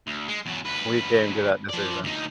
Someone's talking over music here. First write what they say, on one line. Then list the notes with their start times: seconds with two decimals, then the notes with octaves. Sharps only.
we came to that decision.
0.07 D2
0.28 G#3
0.46 E2 F#3
0.65 D2 B4
1.69 F3 D5
2.04 D2 D#4